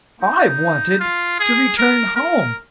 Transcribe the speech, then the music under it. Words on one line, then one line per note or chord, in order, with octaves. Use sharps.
I wanted to return home.
D#4
F4
G#4
A#4
A#4